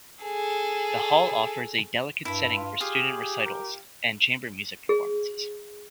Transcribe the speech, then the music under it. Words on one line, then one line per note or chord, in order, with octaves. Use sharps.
The hall offers a delicate setting for student recitals and chamber music performances.
G#4 A4
G2 E4 B5
F4
F4 G4 G#4
A#4
G#4